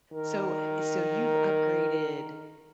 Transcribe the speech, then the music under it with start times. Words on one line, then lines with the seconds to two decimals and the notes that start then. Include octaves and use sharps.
so so you've upgraded,
0.13 D#3 A#4